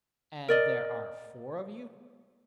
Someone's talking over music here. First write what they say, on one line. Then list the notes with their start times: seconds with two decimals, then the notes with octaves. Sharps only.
"And there are four of you?"
0.48 A#4 D5 D#5